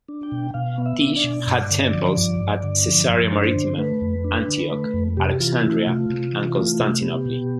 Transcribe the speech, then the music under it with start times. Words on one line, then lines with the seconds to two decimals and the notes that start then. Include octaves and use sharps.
Tyche had temples at Caesarea Maritima, Antioch, Alexandria and Constantinople.
0.08 D4
0.23 G5
0.32 B2
0.54 B2 F5
0.78 B3
0.86 E5
1.01 D4
1.16 D5
1.24 B2
1.47 G2
1.70 D3
1.94 F3
2.17 G2
2.40 G2
2.63 D3
2.86 F3
3.09 G2
3.32 D4 C5
3.55 D3
3.78 A3 B4
4.01 F2
4.24 D4
4.48 D3
4.71 A3
4.94 F2
5.17 C3 G4
5.40 E3 F4
5.63 A3 E4
5.87 C3 F4
6.10 C3
6.33 E3
6.57 A3
6.80 C3
7.02 B3 G4
7.26 B2